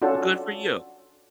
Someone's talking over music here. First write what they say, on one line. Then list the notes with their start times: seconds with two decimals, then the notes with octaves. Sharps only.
Well, good for you.
0.02 C#4 D4 F4 F#4 A4